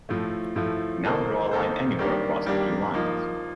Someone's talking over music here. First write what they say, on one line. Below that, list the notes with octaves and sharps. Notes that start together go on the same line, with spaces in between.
Now draw a line anywhere across the two lines.
A2 F3 A3
A2 F3 A3
D#3 A#3 D#4 A4 C5
D#3 A#3 D#4 A4 C5
D#3 G3 A#3 D4 G4
D#3 G3 A#3 D4 G4
F3 A#3 D#4